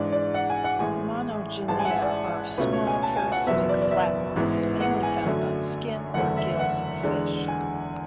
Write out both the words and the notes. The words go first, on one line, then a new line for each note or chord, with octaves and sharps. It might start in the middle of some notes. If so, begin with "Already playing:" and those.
Monogenea are small parasitic flatworms mainly found on skin or gills of fish.
Already playing: G#2 E3 G#3 D4 D5
D5
F#5
G#5
F#5
A1 A2 G#3 G#5
A1 G#2 E3 G#3 A5
G#5
F#5
E5
D5
C#2 B2 A3 C#4 B4
C#5
G#5
A5
G#5
F#5
F#1 E2 B2 F#3 B3 E5
D5
D5
E5
A1 G#2 E3 G#3 B3
F#5
G#5
F#2 D3 F#3 A3
F#1 E2 D3 A3 E4 F#5
E5
F#5
E2 D3 G#3 D4
G#5